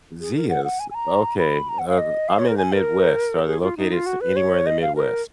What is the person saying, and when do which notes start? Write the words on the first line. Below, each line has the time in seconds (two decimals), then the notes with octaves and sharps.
Zea’s? Okay, uh I'm in the Midwest. Are they located s anywhere in the Midwest?
0.21 G#4
0.35 A#4
0.49 F#5
0.65 F#5
0.80 G#5
0.91 G#5
0.95 A#5
1.39 B5
1.69 A#5
1.79 F#5
1.88 F5
1.98 D#5
2.28 F5
2.39 C#5
2.47 A#4
2.58 G#5
2.73 A#4
3.47 G#4
3.62 F4
3.77 D#4
3.92 F4
4.06 F#4
4.21 B4
4.36 C#5
4.66 D#5
4.82 F5
4.95 A#4